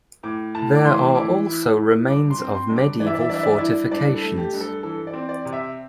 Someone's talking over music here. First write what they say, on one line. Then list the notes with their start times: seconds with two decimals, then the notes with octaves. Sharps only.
There are also remains of medieval fortifications.
0.23 A2 D6
0.55 A2 A5
0.75 D6
0.85 E3 C6
1.15 E4 D6
1.47 E4
1.77 E4
2.08 G2 D6
2.30 C6
2.38 C4
2.54 C6
2.69 G2
2.76 D6
2.99 E3 D5
3.06 E5
3.15 D5
3.21 E5
3.29 G2 D5
3.36 E5
3.43 D5
3.51 E5
3.58 E4 D5
3.91 G2 D5
4.14 A4
4.22 A3
4.37 G4
4.53 G2
4.60 A4
4.83 E3 A4
5.07 D5
5.13 C4
5.29 D5
5.45 C3
5.53 E5